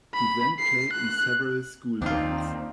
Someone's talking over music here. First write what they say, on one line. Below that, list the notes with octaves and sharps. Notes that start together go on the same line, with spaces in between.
He then played in several school bands.
B5
C7
F#6
D#2 C4 D4 D#4 F4